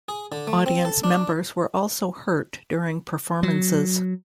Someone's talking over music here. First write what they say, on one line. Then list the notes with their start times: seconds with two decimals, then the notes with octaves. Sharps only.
Audience members were also hurt during performances.
0.08 G#4
0.32 D3
0.47 A3
0.66 C4
0.85 A4
1.04 D4
3.43 F#3